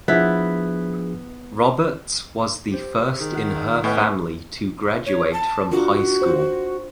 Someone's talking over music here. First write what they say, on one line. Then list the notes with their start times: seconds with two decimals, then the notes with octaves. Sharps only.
Roberts was the first in her family to graduate from high school.
0.08 F3 B3 D4 E4 G#4
2.72 G4 C5
3.20 D#3 G#4
3.34 F#5
3.84 A2 B3 C#4 D#5 D7
5.06 C#5
5.33 A5
5.71 D4 F4 F#4 A#4
6.22 C5